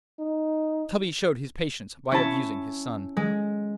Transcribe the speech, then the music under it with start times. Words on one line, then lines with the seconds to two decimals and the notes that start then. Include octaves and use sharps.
Tubby showed his patience by abusing his son.
0.20 D#4
2.12 C#4 E4 A5 C#6
3.17 G#3